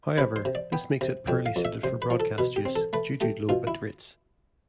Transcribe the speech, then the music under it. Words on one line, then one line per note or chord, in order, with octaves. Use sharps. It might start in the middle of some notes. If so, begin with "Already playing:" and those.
However, this makes it poorly suited for broadcast use, due to low bitrates.
C3 B4
C5
C3
D5
B3 G5
C3
F2 G5
F5
F2
E5
C3 C5
B4
F3
A4
B2 B4
G4
C4
A4
A3 B4
A3 G4
B2 F4
E4